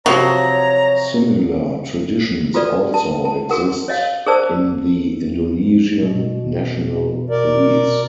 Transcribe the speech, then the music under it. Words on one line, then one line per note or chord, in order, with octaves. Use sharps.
Similar traditions also exist in the Indonesian National Police.
C3 F3 F#3 F#4 C#5 A#5
F4 F#4 A4 B4 D5
A5
A5
F#4 G#4 A#4 F#5
C#5 D#5 F5
G#4 A#4 C5 D5 A5 E6
B2
A#4 D5